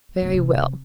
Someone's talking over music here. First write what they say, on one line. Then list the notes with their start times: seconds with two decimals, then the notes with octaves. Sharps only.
'Very well.
0.22 D#1 C#3
0.34 C3